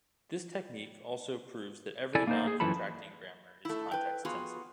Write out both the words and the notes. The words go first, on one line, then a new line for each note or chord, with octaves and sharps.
This technique also proves that every noncontracting grammar is context-sensitive.
E4 A4 D5 G#5
A#3 D#4 C5
G#4
F#2 E3 F3 A4 B5
A3 E4
B4 G5
B3 F4 F#4 G#4